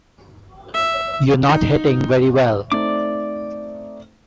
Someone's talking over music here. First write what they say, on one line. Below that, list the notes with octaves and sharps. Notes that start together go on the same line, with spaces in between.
You're not hitting very well.
E5
D#4
A3 C4 D#4 D5 D6